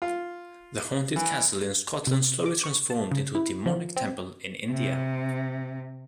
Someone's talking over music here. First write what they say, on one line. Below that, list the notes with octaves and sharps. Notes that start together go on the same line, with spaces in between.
The haunted castle in Scotland slowly transformed into a demonic temple in India.
F4
E3
C3
D6
C#6
A5
C#3
E4
F3
C4
C3